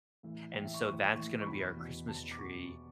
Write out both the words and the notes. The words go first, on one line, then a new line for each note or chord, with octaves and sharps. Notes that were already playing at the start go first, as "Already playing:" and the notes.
and so that's gonna be our Christmas tree,
A2 E3
A2 E3 G5
E5
C#6
A2 E3 C#6
A2 E3 C#6
C#6
E2 B2 B5
E2 B2
E2 B2 A5
D6
B2 C#6